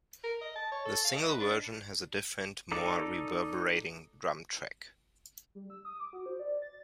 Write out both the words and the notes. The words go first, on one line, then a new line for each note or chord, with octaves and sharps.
The single version has a different, more reverberating drum track.
A#4
D#5
A5
C#5
A4
F5
D#5
B4
D4
D#4 A4 D5
G3
E6
D#6
D6
F#4
C5
D5
A6